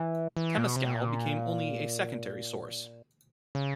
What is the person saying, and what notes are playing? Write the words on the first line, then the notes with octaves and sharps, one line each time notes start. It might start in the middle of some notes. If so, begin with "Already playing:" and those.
Temescal became only a secondary source.
Already playing: E3
E3
A#2
B2
C3
B2
A#2
C#3